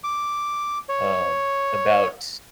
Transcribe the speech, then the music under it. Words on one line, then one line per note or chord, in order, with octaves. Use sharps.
um, about
D6
C#5